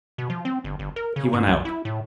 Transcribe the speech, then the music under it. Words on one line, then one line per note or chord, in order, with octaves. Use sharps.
He went out.
B2
F3
C4
G1
G1
A#4
C#3
G#2
B1
E4
A2